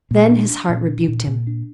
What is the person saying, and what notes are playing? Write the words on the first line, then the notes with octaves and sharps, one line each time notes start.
Then his heart rebuked him.
A#2
D4
D4
A#2
D4
A#2
A#2
D4